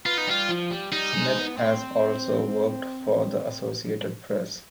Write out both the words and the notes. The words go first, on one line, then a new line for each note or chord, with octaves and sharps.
Smith has also worked for the Associated Press.
B3 F4
D#4
G3 F4
F3
G3
G3 D#4
G#3
B3
C4